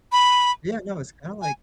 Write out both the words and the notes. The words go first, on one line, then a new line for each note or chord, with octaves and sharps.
Yeah, no, it's kinda like
B5
G#5